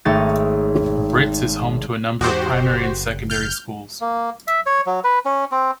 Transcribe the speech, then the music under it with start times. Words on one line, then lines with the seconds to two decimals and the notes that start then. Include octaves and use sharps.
Brits is home to a number of Primary and Secondary Schools.
0.05 G#1 A3 D#4 C#5 A6
2.21 E2 G#2 F#4 G4 C5
2.52 F#1
3.30 F6 G6
4.01 A#3
4.47 E5
4.66 C#5
4.86 F#3
5.04 B4
5.25 C#4
5.52 C4